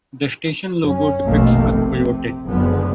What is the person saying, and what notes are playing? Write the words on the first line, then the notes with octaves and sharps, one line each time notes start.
The station logo depicts a coyote.
F#2 C#4
F1 A#1 B2 D#3 A3 A#3
C3
F#1 D3 F3 G#3 B3